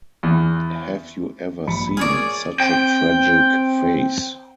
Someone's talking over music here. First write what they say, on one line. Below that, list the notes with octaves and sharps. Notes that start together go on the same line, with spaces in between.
Have you ever seen such a tragic face?
E2
A#1 B5 C#7
G#4 C#5 D5 F6
C4 G5